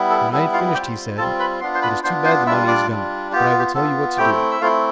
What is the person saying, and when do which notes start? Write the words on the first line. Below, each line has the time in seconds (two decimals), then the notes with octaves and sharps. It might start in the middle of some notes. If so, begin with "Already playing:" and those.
When I had finished he said: 'It is too bad the money is gone, but I will tell you what to do.
Already playing: G3 B3 E4
0.10 A4
0.31 G3 B3 E4 A4
0.53 F4 F5
0.74 G3 C4 F4 G4 G5
1.17 G3 C4 F4 A4 A5
1.39 B4 B5
1.61 B3 D4 F4 C6
1.75 C5 C6
1.82 B4 B5
2.03 B3 D4 F4 C5 C6
2.24 C5 C6
2.46 G3 D4 E4 F4 E5
2.67 D4 D5
2.89 G3 D4 F4
3.32 B3 F4 G4
3.59 G4
3.75 B3 F4 A4
4.18 A3 C4 E4 G4 G5
4.51 E5
4.61 A3 C4 E4 F4 F5